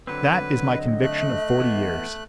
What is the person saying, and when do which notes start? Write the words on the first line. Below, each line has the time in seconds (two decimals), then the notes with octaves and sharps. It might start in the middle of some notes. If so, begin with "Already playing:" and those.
That is my conviction of forty years.
0.07 D3 F#3 C4 B4
0.66 D#5
1.03 A3 F#6
1.60 E3 B3